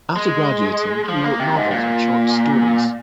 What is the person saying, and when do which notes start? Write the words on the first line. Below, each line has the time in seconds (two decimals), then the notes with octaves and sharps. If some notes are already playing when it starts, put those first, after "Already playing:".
After graduating, he wrote novels and short stories.
0.16 G#3
1.09 F3
1.24 A#3
1.40 C3
1.56 G#2
1.71 A#2